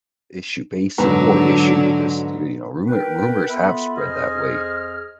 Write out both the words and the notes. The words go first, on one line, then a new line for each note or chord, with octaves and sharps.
issue base core issue because, y you know, rumor rumors have spread that way,
G#2 D3 F#3 B4 A#5
A#4 B4 G5
B3 F4 A4 E5 B5
F2 G#4 C5 D#5 F6